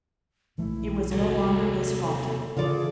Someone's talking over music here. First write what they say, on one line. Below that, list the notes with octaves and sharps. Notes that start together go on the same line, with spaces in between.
It was no longer his fault.
B1 E3 A3 E4
D#2 C3 F#3 A4
C#3 E3 F4 G#4 A4 D5